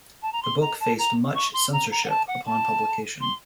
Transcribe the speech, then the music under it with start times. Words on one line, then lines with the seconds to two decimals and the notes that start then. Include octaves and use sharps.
The book faced much censorship upon publication.
0.22 A5
0.32 A#5
0.42 C6
0.61 A#5
0.80 A5
0.98 A#5
1.34 C#6
1.53 C6
1.72 A#5
1.91 A#5
2.04 F#5
2.09 A5
2.27 F#5
2.46 A5
3.20 C6